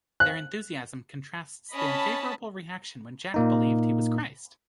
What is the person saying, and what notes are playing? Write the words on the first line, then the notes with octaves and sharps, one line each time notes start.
Their enthusiasm contrasts the unfavorable reaction when Jack believed he was Christ.
F#6
C#4 D#5 A5 B5
A#2 A#3 D#4